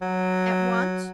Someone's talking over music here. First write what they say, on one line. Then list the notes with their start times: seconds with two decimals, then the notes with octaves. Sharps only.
At once!
0.02 F#3